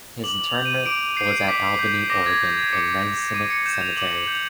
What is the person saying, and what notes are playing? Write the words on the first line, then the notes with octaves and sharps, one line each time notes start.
His interment was at Albany, Oregon in the Masonic Cemetery.
D6 F#7
F7
G6
D#7
D6 D7
G6 C7
D6 B6
G6
D6 A#6
G#6
G6
G#6
D6 C#7
G6
D6 D#7
C#7
G6 E7
F7
D6 F#7
F#7
G6 F7